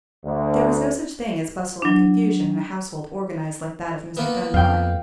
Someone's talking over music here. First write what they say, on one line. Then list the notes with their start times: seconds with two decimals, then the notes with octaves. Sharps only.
There was no such thing as bustle and confusion in a household organized like that of Mr. Dunbar.
0.24 D2
1.82 F#3 D4
4.17 A#3 B3
4.54 F2 F5 G5